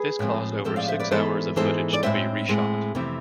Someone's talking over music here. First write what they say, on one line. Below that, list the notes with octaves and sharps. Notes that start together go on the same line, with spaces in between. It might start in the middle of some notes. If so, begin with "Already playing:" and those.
This caused over six hours of footage to be re-shot.
Already playing: G#4 B4
A2 F3 G#3 C4
A2 F3 G#3 C4 A4 C5
D5 F5
C5 E5
B4 D5
G#2 E3 G#3 B3 A4 C5
G#2 E3 G#3 B3 A4 C5
D5
A2 G#3 C4 C5 E5
A2 G#3 C4
F2 C3 E3 A3 C4